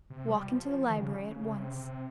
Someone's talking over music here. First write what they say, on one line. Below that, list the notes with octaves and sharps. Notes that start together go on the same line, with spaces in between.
"Walk into the library at once."
C3
G3
F3
F3
F3
D#3
C#3
C#3
C3
C3